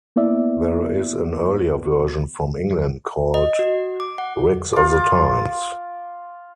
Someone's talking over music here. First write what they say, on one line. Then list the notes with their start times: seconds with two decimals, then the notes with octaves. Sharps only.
There is an earlier version, from England, called "Rigs of the Times".
0.16 A#3 B3 E4 D5 E5
3.34 D#5
3.59 F#4
4.00 D6
4.18 F#5
4.73 F4 D6